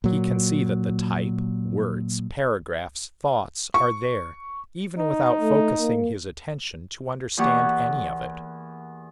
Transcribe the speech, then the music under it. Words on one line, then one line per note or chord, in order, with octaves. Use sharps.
He can see that the type, words, paragraphs, thoughts are there, even without focusing his attention to understand any of it.
A#2 F#3
C#6
D#4
A3
A#3
E2 E3 A#3 G4 F#5 C#6